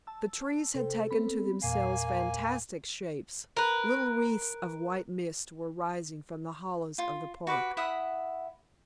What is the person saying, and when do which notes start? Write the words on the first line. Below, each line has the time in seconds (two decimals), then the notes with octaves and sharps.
The trees had taken to themselves fantastic shapes, little wreaths of white mist were rising from the hollows of the park.
0.07 A5 E6
0.75 C3 A4 C5 G5
1.11 B3 C4 B5
1.63 E2 A#2 A#3 F5 G#5 C7
2.05 F5
3.57 A#4 B4
6.98 F4
7.47 F#4 B4 D6
7.77 E4 E5 F#5 D#6